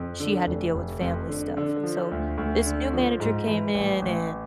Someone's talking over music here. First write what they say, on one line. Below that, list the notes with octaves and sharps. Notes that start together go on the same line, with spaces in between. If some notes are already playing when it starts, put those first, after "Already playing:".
she had to deal with family stuff, and so this new manager came in, and
Already playing: F2
D3
F1
F1
F2
D3
D3
F3
D2
D2
D3
F3
G#2
E3
A1
A1